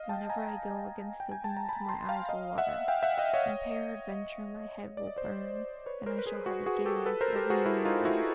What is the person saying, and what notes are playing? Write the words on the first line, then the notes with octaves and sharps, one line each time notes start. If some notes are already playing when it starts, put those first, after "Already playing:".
Whenever I go against the wind my eyes will water, and peradventure my head will burn, and I shall have a giddiness every new moon.
Already playing: D#5 F5
G5 A5
G#5 A#5
G5
G#5
A5
A#5
A5 B5
A#5 C6
F5 G5
D#5 F5
E5 F#5
F5 G5
E5 F#5
D#5 F5
C#5 D#5
D5
D#5
C5 D5
B4 C#5
A#4 C5
B4
G#4 A#4
F#4 G#4
F#4 G#4
G4 A4
A4 B4
A#4 C5
G4 A4
F#4 G#4
E4 F#4
D#4 F4
E4 F#4